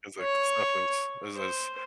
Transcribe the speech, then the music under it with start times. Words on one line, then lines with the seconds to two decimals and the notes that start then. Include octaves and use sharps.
It's, like, the stuff is is is
0.21 C#5
1.36 C5